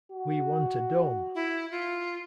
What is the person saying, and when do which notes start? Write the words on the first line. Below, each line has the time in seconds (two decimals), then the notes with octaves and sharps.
We want a dome!
0.12 F#4
1.35 E4
1.71 F4